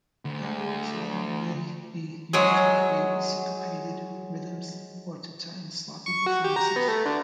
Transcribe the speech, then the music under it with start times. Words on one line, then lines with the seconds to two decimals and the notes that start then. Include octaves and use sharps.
Envelope following may be used to create syncopated rhythms or to tighten sloppy performances.
0.25 D2
2.33 F#3 G#3 G#4
6.06 C#6
6.26 F#4
6.44 G4
6.56 A#5
6.76 B3
6.88 A3
7.06 D3